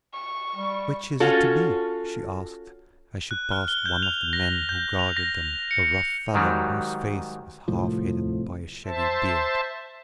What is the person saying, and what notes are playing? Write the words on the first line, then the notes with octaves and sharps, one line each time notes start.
"Which is it to be?" she asked, as she passed one of the men who guarded them, a rough fellow, whose face was half hidden by a shaggy beard.
C#6
G3
C#4 F4 F#4 A4
F#6
F6
G7
G6
F7
A#6
G6
F7
A#6
C#7
G#2 D#3 F#3 G3
C2 A2 F3
C5 E5 A5